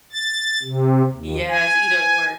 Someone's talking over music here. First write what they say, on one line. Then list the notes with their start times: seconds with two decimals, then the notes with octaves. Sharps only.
yes, either, or.
0.13 A6
0.63 C3
1.13 D#2
1.48 G#5